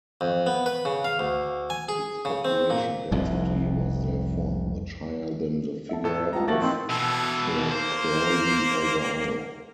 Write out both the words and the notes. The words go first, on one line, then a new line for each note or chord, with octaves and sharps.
Its population density was therefore -much higher than the figure of for Crawley overall.
F2
B3
B4
C#3
F5
D2
G#5
G#4
C#3
C4
A#2
F1 C2 F2
E5 A5
A2 A4
C#2 G3 C4 F4 A5 A#5
F3 A3 A#3 F#4 A6 F#7
A2 A#3 C4 D#4
B2 E3 A4
A#3 C5